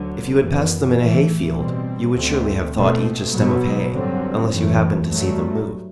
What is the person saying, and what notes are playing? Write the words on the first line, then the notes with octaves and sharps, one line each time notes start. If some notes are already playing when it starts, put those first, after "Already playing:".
If you had passed them in a hay-field, you would surely have thought each a stem of hay, unless you happened to see them move.
Already playing: D2 D3 F#3
F#2 E3 B3
A2 E3 A3
B2 G3 C4
D2 D3 A3 C4
B2 A3 C4
B2 F#3 B3
G2 D3 F#3 C4
F#2 E3 A3
G2 F#3 A3